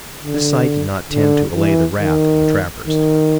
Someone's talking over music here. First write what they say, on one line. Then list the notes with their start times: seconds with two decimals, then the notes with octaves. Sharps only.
This sight did not tend to allay the wrath of the trappers.
0.23 D3
1.12 D3
1.55 E3
2.00 D#3
2.87 D#3